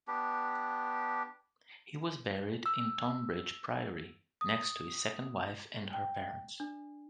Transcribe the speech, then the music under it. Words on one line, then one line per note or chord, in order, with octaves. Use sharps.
He was buried at Tonbridge Priory, next to his second wife and her parents.
B3 D4 G4
E6
D#6
G5
D4